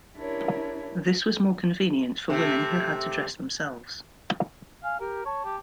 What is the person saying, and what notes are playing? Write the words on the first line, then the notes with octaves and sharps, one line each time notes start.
This was more convenient for women who had to dress themselves.
C#4 D4 E4 G4 A#4 C#5
C3 A3
F5 G#5
G4 A#4
C#5 A5
G4